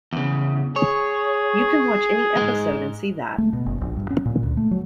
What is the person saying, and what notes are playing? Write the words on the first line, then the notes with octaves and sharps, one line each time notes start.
You can watch any episode and see that.
E2 C#3
G#4 C#5
G#2 G#3
A3
B2
F#1
A#1
G2
C#4
A#2
D2
A3
F#3